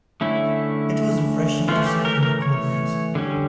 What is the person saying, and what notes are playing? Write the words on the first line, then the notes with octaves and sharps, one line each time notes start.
It was refreshing to sit in the cool breeze.
D3 A3 C#4 E4
E3 A3 C#4 F4
G4
A#4
A#4
C#5
D3 G3 C#4